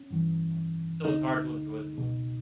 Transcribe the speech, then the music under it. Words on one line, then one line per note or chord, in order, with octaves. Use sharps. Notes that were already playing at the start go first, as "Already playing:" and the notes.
Uh, so, it's hard to enjoy the movie.
Already playing: C#4
G2 E3
D2 D3 D#4
C#2 B2